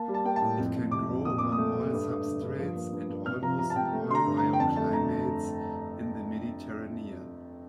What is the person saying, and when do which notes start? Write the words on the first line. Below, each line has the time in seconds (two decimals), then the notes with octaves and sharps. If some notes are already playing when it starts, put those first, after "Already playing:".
It can grow on all substrates and almost in all bioclimates in the Mediterranean.
Already playing: A#3 A5
0.08 G3
0.14 A5
0.25 A#3 G5
0.36 A5
0.42 A2
0.59 F2
0.75 F2
0.91 C3 D6
1.09 F2
1.25 A#2 D#6
1.38 A#2 D6
1.52 D#6
1.58 A3
1.76 A3
1.92 G2
2.09 G2
2.25 D3
2.42 G2
2.59 F3
2.75 A#3
2.92 G2
3.09 G2
3.26 C3 F6
3.42 F3 A#5
3.59 C3 A#5
3.70 A5
3.76 C3 G5
3.93 A3
4.10 D3 C6
4.15 A#5
4.26 G2
4.37 A#5
4.43 D3
4.53 G5
4.59 F2 A5
4.76 A3 A5
4.93 D3 A#5